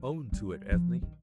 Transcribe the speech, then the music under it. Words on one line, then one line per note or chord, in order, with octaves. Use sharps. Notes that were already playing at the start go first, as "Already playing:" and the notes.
Own to it, Ethne!
Already playing: F3
G3
F3
D#3